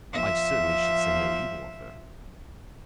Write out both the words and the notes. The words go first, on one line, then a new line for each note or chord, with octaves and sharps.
"I certainly shall say no evil of her."
F3 E5